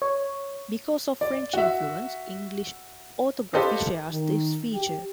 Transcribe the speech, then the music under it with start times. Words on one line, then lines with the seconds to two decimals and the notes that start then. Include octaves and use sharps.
Because of French influence, English orthography shares this feature.
0.02 C#5
1.21 D5
1.53 F#4 E5
3.53 G4 A4 B4 C5 D#5 F5
4.12 D#3
4.73 G4